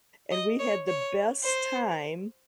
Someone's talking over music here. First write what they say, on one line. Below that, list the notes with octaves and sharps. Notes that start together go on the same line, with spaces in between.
and we had the best time
D#5
C#5
C#5
C5